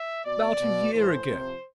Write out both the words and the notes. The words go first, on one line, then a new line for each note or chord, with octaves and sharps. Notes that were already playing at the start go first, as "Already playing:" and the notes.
"About a year ago."
Already playing: E5
B2 D5
B2
A2 E3 C5
C3 F3